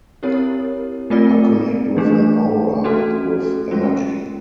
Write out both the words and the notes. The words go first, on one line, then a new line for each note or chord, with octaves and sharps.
I connect with an aura, with energy.
C4 E4 G4 A#4 C#5
A3 C4 F4 A#4 D5
E3 A3 D4
A3 C#4 F#4 A4
G#3 C#4 F4